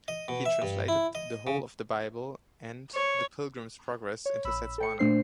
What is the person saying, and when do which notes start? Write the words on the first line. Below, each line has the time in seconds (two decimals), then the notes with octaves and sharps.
He translated the whole of the Bible and "The Pilgrim's Progress" into Setswana.
0.08 D#5
0.28 B2
0.46 E5
0.62 G2
0.88 E4
1.15 D#5
1.47 C#3
2.95 C#5
4.26 C#5
4.45 A#1 B5 E6
4.78 A4 G5 C#7
4.99 A#2 A3 D4 C5 C7